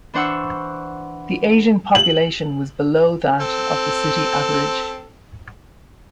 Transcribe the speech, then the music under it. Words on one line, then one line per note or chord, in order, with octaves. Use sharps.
The Asian population was below that of the city average.
E3 D4 C5 F#5 C#6 E6
F#7
C4 A4